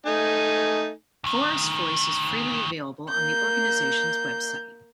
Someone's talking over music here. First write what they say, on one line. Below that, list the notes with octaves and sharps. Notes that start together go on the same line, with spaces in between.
"Forest Voice" is freely available on the organization's web site.
A3 D#4 G#5
D2 D#3
A#3 G6